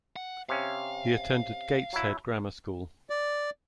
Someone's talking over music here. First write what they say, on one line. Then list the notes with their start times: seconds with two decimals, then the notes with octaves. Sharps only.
He attended Gateshead Grammar School.
0.16 F#5
0.49 C3 C#4 F5
1.93 F#3 E4
3.10 D5